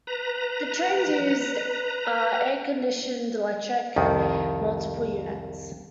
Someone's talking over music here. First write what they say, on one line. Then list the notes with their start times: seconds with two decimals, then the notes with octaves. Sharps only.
The trains used are air-conditioned electric multiple units.
0.07 B4 A#5
3.96 C2 F2 D#3